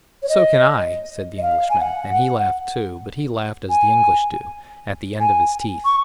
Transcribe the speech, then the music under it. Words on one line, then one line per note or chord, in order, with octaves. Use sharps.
"So can I," said the Englishman, and he laughed too; but he laughed as the English do, "at the end of his teeth."
C#5
D#5
D#5
F5
G#5
F#5
G#5
G#5
C#6